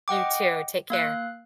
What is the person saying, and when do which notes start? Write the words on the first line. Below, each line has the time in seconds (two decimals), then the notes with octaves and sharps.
You too. Take care.
0.08 D#5 F#5 G5 D6
0.90 A#3 F5 F#6